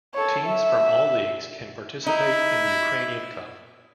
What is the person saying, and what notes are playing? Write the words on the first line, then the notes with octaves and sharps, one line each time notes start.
Teams from all leagues can participate in the Ukrainian Cup.
A4 C#5
E5
D#4 E4